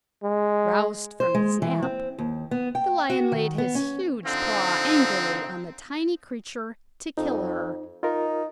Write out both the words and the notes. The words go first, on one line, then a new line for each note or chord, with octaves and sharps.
Roused from his nap, the Lion laid his huge paw angrily on the tiny creature to kill her.
G#3
C5
G#3
E3
C4
D#2
B3
G5
F#4
D#3
B3
C#4
D3 F3 C4 D#4
F2 D#4
D#4 F4 A#4